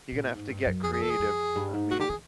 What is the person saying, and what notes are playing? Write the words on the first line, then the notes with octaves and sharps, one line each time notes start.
You're gonna have to get creative, I mean,
A#2
A2
G#2
G2
F#2
F2 G#4
G#4
E2 A4
G#4
F2
G2
G#2
A#2 F#4
D3 G4
D#3 G#4